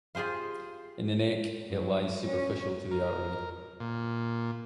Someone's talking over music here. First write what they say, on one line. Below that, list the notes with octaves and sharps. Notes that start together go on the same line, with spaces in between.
In the neck it lies superficial to the artery.
F4 G4 G#4 C5 F5
F#2
C#4
A#4
A#2